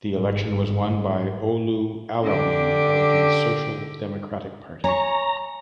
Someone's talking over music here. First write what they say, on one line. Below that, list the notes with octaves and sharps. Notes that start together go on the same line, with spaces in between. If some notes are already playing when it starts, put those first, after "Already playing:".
The election was won by Olu Alabi of the Social Democratic Party.
G1 G#2
D3 G4
C#5 G#5 A#5 C#6